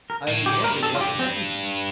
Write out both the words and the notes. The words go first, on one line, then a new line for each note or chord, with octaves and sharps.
I have been wondering what had happened to you.
A#4
A2
G4
A2
G2 A#4
A4
F4
G4
C4